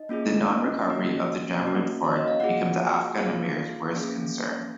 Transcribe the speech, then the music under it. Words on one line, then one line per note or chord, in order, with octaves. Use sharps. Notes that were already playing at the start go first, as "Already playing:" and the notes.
The non- recovery of the Jamrud Fort became the Afghan Amir's worst concern.
Already playing: D#4 D#5
A#3 C#4 F4 G#4
A#3 C#4 F#4
A#3 C#4 F#4
C#5
D#5
F5
A#3 F4 F#4 G#4 F#5
A#3 F4 G#4 F5
A#3 C#4 G#4